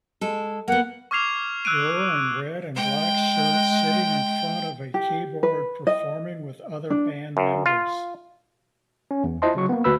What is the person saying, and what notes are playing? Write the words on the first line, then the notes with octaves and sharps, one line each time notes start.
Girl in red and black shirt sitting in front of a keyboard performing with other band members.
G#3 A4
A#3 B3 F#5
C#6 D6 F6 G#6 C7 F7
E6 F#6 D7 D#7
G#3 G5
G4
B4
D#5
D4
F#2
F4
C#4
E2
E4 F4 C5 D#5 A5 C6
C#3 F#3 C#6
A#3 B3
D2 F#4 B4 B5 E6